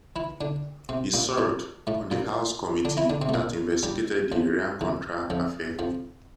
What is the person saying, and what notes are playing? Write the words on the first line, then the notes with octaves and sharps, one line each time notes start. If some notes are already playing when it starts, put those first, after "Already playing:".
He served on the House committee that investigated the Iran-Contra Affair.
E3 E4
D3 D4
C3 C4
A#2 A#3
A2 A3
A2 A3
A#2 A#3
D3 D4
E3 E4
D3 D4
C3 C4
A3
A#2 A#3
G2 G3
F2 F3
E2 E3
F2 F3
F2 F3